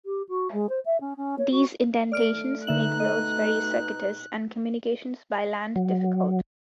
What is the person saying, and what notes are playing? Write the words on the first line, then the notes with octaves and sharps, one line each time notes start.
These indentations make roads very circuitous and communications by land difficult.
G4
F#4
G#3
C5
E5
C#4
C#4
C#5
F#4
A3 D5 F6 D7
B2 D3 D#4 E5 F#6 F#7
D#5
F#3